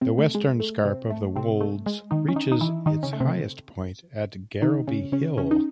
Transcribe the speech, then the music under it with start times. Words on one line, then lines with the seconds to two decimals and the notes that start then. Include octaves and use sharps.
The western scarp of the Wolds reaches is highest point at Garrowby Hill.
0.01 C3 C4
0.18 A3
0.35 G#3
0.60 A3
0.85 C3 C4
1.10 A3
1.36 C3 C4
1.61 A3
1.86 G#3
2.11 D#3 D#4
2.28 C#4
2.36 D#3 D#4
2.52 D#4
2.61 E3 E4
2.86 D#3 D#4
3.03 C#3 C#4
3.13 A3
3.20 C3 C4
4.62 D#3 D#4
4.87 C#3 C#4
5.12 C#3 C#4
5.37 C#3 C#4
5.51 D#4